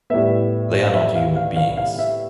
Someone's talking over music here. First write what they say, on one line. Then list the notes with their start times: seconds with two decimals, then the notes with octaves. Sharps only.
They are not human beings.
0.10 A2 G3 B3 E5
0.83 F5
0.94 E5
1.16 F5
1.36 F5
1.56 F5
1.77 F5
1.99 E5